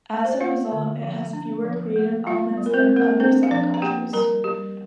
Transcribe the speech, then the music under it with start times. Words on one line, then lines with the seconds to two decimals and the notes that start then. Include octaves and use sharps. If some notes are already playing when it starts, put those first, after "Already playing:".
As a result, it has fewer creative elements than other subcultures.
0.25 C5
0.32 D5
0.41 A#3 F4 F5
0.72 D3
1.03 F3
1.33 D4
1.64 F3
1.96 A#3
2.27 G3 F4 F5
2.57 G3
2.66 A#4
2.74 C4 C5
2.89 C4
2.96 A#3 A#4
3.20 C4 D4 C5
3.43 F5
3.51 F3 D4 D5
3.74 A#5
3.82 A#3 G4 G5
4.13 G3 A#4 A#5
4.44 G3 G4